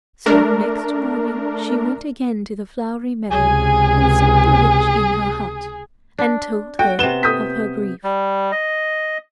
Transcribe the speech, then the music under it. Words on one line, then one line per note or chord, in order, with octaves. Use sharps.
So next morning she went again to the flowery meadow and sought the witch in her hut, and told her of her grief.
A3 D4 A#4
C#2 C3 G#4 G#5
D4
F#4 G5
C3 B3 E7 G7
D#6 G6 B6
G3
D#5